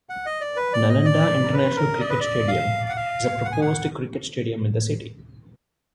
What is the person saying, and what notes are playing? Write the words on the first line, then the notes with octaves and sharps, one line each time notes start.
Nalanda International Cricket Stadium is a proposed cricket stadium in the city.
F#5
D#5
D5
B4
D5
D#5
D5
B4
A#4
D5
B4
D5
F5
F#5
F5
F#5
G#5
F#5